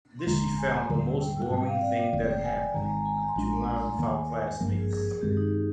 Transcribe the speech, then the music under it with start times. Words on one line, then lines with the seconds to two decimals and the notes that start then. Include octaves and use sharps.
This she found the most boring thing that happened, to learn without classmates.
0.19 C6
0.27 F1 D#2 D3 G#3 A#5
0.43 C6
0.58 G#5
0.89 D#2 D3 G3
1.20 G5
1.50 G#2 G3 C4 G5
1.66 F5
1.82 D5
2.12 F1 F2 D#3 A#3 D5
2.28 G5
2.44 G#5
2.74 G#1 G#2 D#3 A#5
2.83 G#5
2.89 A#5
3.05 G#5
3.20 A#5
3.28 C6
3.36 A#1 A#2 G#3 D4 A#5
3.46 G#5
3.56 A#5
3.67 G#5
3.82 A#5
3.97 D#2 D#3 A#3 G#5
4.13 G#5
4.29 A#4
4.60 G#1 G2 F3 A#3 A#4
4.75 G#4
4.91 G#4
5.14 G#4
5.21 G2 D#3 G#3 C4 G4
5.37 D#4